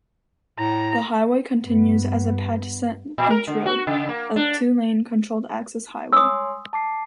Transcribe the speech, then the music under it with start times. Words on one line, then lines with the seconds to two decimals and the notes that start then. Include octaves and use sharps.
The highway continues as Patuxent Beach Road, a two-lane controlled-access highway.
0.59 A2 A#5
1.63 G2 B3
3.18 A#2
3.31 A#4
3.47 D3
3.66 F#4
3.87 C#3
4.09 A#3
4.36 D4
6.13 C#5 G#5 C6 D#6 E6
6.73 A5 D6 C7